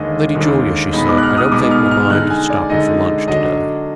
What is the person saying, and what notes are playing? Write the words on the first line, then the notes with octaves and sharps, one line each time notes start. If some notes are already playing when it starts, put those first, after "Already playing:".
"Lady Julia," she said, "I don't think we'll mind stopping for lunch to-day."
Already playing: D#2 D3 G#3 D#5
D#2 D3 G#3
B2 G#3 B3 D#4 B5
D6
F#6
F6
D#6
B2 G#3 B3 D#4 D6
F6
F6
D3 G#3 D#4 F#6
G#5
D5
D3 G#3 D#4 D#5
D3 F#3 D4 D#5